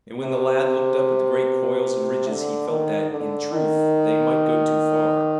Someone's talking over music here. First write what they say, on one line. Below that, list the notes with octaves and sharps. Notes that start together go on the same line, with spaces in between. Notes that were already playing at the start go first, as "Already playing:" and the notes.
And when the lad looked up at the great coils and ridges he felt that, in truth, they might go too far.
C3
D3
D#3
D3
D#3